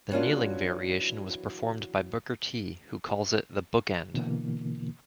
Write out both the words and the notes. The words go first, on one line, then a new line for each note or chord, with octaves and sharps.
The kneeling variation was performed by Booker T who calls it the "Book End".
E3 F#3 A#3 C#4 D4 F4
B2 D3 E3 A#3